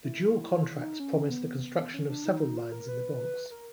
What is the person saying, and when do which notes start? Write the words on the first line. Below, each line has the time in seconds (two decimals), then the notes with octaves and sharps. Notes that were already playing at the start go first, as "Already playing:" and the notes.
The Dual Contracts promised the construction of several lines in the Bronx.
0.04 E4
0.77 D4
0.83 D#4
1.00 C#4
1.30 B3
1.94 C#4
2.10 D4
2.25 D#4
2.41 D#4
2.57 F4
2.72 A#4
2.88 B4
3.51 A#4